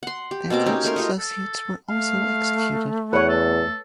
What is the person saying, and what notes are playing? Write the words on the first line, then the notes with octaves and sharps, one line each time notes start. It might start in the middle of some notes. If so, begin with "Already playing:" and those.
Their close associates were also executed.
F#5 C6
G4
B2 A#3 C4 D6
C#4 D#4 G4
A3 D#4 A#4 C6
F4 G4 D#5
A4
A3 F5
E2 B4 C#5 F#5
A4